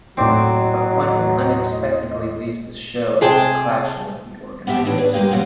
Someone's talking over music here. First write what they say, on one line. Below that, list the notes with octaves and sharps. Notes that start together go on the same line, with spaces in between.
But Quentin unexpectedly leaves the show after clashing with the organizers.
D#2 A2 F#3 C4 C5 D5 D#5
C3 G#4 G5 A5
B3 C4 G4 E5 A5
A2 E3 D4 D#4
G#4 B4 D5
G2 G#3 A#3 G4 G#4 F5
E2 B2 F#3 C#4 C5